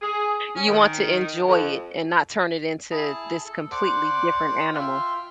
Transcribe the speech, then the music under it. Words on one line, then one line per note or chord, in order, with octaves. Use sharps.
You want to enjoy it and not turn it into this completely different animal.
G#4
C#4
D#3
F2
E4 G#4 A5
A4
C5 D5 F#5 D6
F4 E5 G5 C6 F6